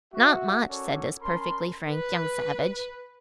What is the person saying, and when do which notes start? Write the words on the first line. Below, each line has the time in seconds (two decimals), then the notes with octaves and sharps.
"Not much," said this perfectly frank young savage.
0.12 F#4 E5
0.69 C#4 F#4 A4 A#4 C#5 D5
1.21 C#4 A#4 A5 B5 C6
1.90 B4